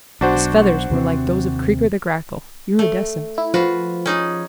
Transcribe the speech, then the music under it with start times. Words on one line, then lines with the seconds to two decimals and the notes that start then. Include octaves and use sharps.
His feathers were like those of Creaker the Grackle--iridescent.
0.21 B1 D4 F#4 C5
0.90 D#2 C3 C4
2.79 A3
3.38 E4
3.54 F3 F4 F#4 B4
4.06 C#4 D#4 G#4